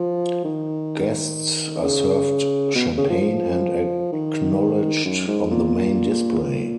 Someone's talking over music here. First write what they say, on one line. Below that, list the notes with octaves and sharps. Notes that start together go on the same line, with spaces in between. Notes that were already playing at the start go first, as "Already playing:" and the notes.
Guests are served champagne and acknowledged on the main display.
Already playing: F3
D#3
C#3
B2
C#3
F3
F3
D#3
F#2
G#2
A#2
A#2